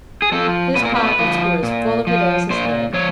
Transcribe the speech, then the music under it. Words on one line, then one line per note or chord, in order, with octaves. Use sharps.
His pockets were as full of it as his head.
G#4
F3 A4
A#2 B4
A#4
B4
F3
A#2
F3
A#2 C5
F3 C#5